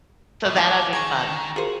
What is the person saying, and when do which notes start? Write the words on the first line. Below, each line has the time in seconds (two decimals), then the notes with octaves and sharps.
So that'll be fun.
0.45 A2 C#3 E5
0.57 E4 A#4 D5 G#5
0.93 D#3 G#4 G#5 C#6 A#6
1.56 F4 F#4 G#4 A#4 C5